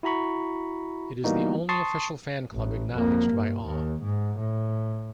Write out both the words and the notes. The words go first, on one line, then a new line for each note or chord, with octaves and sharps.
It is the only official fan club acknowledged by Aw.
E4 F#4 A#5 B5 C#6
E3 G3 A#3 B3 D#4 F#4
A5 C6 C#6 D#6 A6 C7
A1
F2 A#3
G2
D#2
G#2
A2